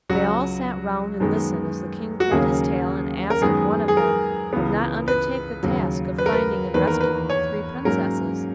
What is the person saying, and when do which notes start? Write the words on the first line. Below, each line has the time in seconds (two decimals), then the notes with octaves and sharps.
They all sat round and listened as the King told his tale and asked if one of them would not undertake the task of finding and rescuing the three princesses.
0.09 C#2 C#3 F#3 F#4
1.20 F#2 D#3 G#3 B3
2.20 F#4
2.31 D#2 C#3 F#3 A#3 C#4 G#4
3.30 A#4
3.41 F#2 D#3 G#3 B3 G#4
3.88 G#4
3.97 A#4
4.53 C#2 C#3 E3 B3
5.08 B4
5.63 D#2 C#3 F#3
6.18 B4
6.26 A#4
6.33 B4
6.74 E2 D#3 A#3 B4
6.87 A#4
7.01 B4
7.30 C#5
7.85 G#2 F#3 A#3 C#4 A#4